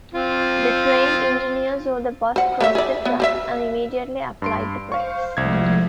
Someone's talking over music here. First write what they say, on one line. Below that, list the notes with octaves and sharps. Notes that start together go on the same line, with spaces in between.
The train engineer saw the bus cross the tracks and immediately applied the brakes.
C4 F4
C5 F#5
A3 B4 E5
G#4 D5
B3
C5 D5 E5
G2 C6 D7
C5 F5 C#6
C2 F3 G#3 A3 G#6